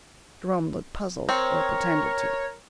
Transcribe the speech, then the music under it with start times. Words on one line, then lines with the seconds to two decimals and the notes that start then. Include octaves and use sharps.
Jerome looked puzzled, or pretended to.
1.29 C4 A#4 C#5